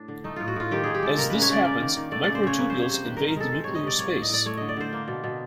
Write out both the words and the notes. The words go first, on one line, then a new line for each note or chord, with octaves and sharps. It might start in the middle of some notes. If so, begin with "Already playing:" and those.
As this happens, microtubules invade the nuclear space.
Already playing: A2 D4
D3
A3 D#4
A2 F4
F#4
A2 F4
D#3 G4
D#3 G#4
G4
G#3 A4
A#3 A#4
C#3 B4
C#5
C#3 D5
A#3 D5
D#3
D#3
A3 D5
C#3 D5
C5
C#3 C#5
A#3 B4
C3 C5
C#5
C3 C5
D#3 B4
D#3 A#4
A#4
G#3 A4
G#3 C5
C3 C#5
D#5
C3 D5
A#3 C#5
A2 D5
D#5
A2 D5
A3 C#5
D3 D#5
D5
D3 C5
A#3
B2
B2